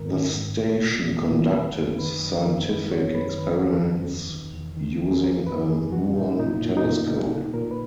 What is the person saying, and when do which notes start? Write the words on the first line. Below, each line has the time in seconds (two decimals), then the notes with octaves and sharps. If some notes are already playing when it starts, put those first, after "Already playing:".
The station conducted scientific experiments using a muon telescope.
Already playing: G#2 D#3 A#4
0.14 D#3
0.37 G#2
0.60 A#2
0.84 A#2
1.06 A#2
1.30 A#2
1.45 C#5
1.52 D#3 B4
1.76 F#2
1.99 D#3 B4
2.22 F#2
2.45 D#3 A#4
2.68 F#2 B4
2.92 D#3 C#5
3.14 F#2 B4
3.38 D#3 B4
3.61 E2
3.84 D#3
4.07 E2
4.30 D#3
4.53 E2
4.76 D#3
4.99 E2
5.11 G#4
5.23 E3 A#4
5.46 F#2 B4
5.69 E3 G#4
5.92 F#2 F#4
6.16 A#2 D#4
6.39 A#2 D#4
6.46 E4
6.62 A#2
6.77 D#4
6.85 A#2
7.08 A#2 D#4
7.31 A#2
7.54 A#2 A#4
7.71 B4